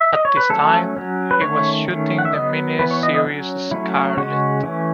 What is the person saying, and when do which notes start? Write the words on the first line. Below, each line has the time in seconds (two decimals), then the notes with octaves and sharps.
At this time, he was shooting the mini-series "Scarlett".
0.00 E5
0.13 D#5
0.25 C#5
0.37 B4
0.50 F#3 A3 C#4 A4
0.97 F#3 C#4
1.31 B4
1.41 D#3 A3 C#4 C#5
1.88 D#3 A3 C#4
2.18 F#5
2.25 E5
2.33 F#3 B3 D#5
2.79 E3 B3 B4
2.91 C#5
3.03 D#5
3.14 D#5
3.26 F#3 C#4
3.71 F#3 A3 C#4 E4
4.17 C#3 G#3 C#4 F#4
4.63 E3 A3 C#4